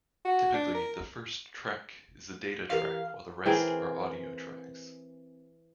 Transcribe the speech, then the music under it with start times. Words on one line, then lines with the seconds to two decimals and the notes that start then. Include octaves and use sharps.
Typically the first track is a data track while the rest are audio tracks.
0.25 F#4
0.54 D4
0.74 A#4
2.70 E3 G4 A#4 F5
3.46 E3 C4 G#4 A#4